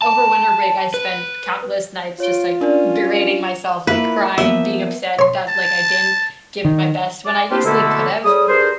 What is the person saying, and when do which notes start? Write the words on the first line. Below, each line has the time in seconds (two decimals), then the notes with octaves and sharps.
over winter break I spent countless nights just, like, berating myself, like, crying, being upset that, like, I didn't give it my best when I easily could have,
0.02 A5
0.94 B4
2.20 F4 C#5 D7
2.61 C#4 D4 A#4 D5
3.87 A#3 E4 F4 B4
4.38 F3 A#3 B3 E5
5.19 C#5 C6
5.48 A5
6.65 D#3
7.26 D5
7.50 C4 D4 E4 F4 G4
7.65 B2 D3 A3 A#3 E4 A4
8.25 A2 G3 G#4 D#6
8.48 G2 G#4 A#4 C5